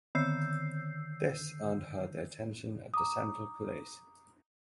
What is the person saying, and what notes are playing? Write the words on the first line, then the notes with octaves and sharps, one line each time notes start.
This earned her the attention of the Central Police.
D3 D#3 E6 G6 C7
A#5 D6 D#6